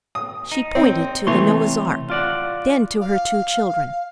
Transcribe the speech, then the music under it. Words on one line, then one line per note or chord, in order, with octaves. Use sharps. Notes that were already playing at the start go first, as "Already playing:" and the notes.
She pointed to the Noah's ark, then to her two children.
D#6
D#4
C4
C3 E3 A3 C#5 C6
F4 D5 F#5
F5